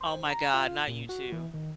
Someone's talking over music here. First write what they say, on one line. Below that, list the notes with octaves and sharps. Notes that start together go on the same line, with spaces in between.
Oh, my God, not you, too.
C5
A#5
F4
A#2
F#4
E3
D#3